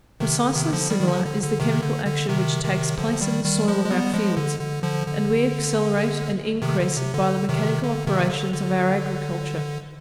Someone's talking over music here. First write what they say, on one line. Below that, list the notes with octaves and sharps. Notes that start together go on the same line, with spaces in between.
Precisely similar is the chemical action which takes place in the soil of our fields; and we accelerate and increase it by the mechanical operations of our agriculture.
C3 D#3
D3
C3 D#3
D3 F3
D#3 G3
D#3
D3 F3
D3
D3
C3 D#3
D3
D3
C3 D#3
C3 D#3
D3 F3
D#3 G3
D#3 G3
F3 G#3
G#3
G3 B3
F3 G#3
D3
D3
D3 F3
D3
C3 D#3
D3
C3
D3
C3 D#3
D3
C3 D#3
D3
D3